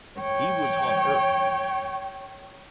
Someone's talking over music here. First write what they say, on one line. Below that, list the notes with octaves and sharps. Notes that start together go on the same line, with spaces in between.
He was on Earth.
C#5 G5